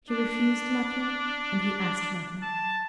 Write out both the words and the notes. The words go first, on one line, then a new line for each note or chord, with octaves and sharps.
She refused nothing, and he asked nothing.
D4
A5